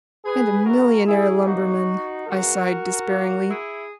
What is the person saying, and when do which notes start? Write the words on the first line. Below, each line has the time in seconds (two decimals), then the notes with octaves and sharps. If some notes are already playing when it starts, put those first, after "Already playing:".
"And a millionaire lumberman!" I sighed, despairingly.
0.24 G#4 B4
0.65 C#3 E3 G#3 B3 F#4 A#4
1.05 E4 G#4
1.45 B2 F#3 A#3 D#4 F#4
2.27 C#3 E3 G#3 F#4 A#4
3.07 A#2 A#3
3.48 E4 G#4